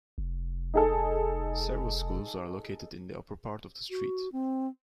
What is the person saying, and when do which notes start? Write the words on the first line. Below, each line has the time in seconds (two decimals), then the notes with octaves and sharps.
Several schools are located in the upper part of the street.
0.18 F1
0.74 D#4 G#4 A4
3.90 F#4
4.32 C4